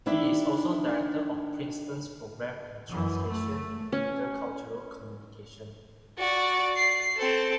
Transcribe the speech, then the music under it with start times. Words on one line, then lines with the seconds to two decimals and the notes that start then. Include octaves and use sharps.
He is also director of Princeton's Program in Translation and Intercultural Communication.
0.06 D#3 D4 E4 D5 E5
2.89 F#2 E3
3.28 A3
3.92 C#4
6.18 F#4 D5
6.76 C7
7.17 C4 A4